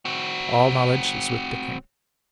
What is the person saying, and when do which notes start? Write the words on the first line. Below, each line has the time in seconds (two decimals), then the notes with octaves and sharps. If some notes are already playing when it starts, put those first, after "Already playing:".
"All knowledge is with the King."
0.05 C4 F#4